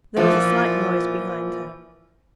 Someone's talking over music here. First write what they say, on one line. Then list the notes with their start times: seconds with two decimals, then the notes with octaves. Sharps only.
There was a slight noise behind her.
0.16 A#2 E3 F3